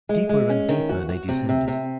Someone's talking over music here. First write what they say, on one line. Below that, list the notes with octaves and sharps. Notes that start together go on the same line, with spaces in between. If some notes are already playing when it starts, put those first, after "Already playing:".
Deeper and deeper they descended.
G#3
G#3
C#4
D#3
F#4
F#4
C3
C3
C3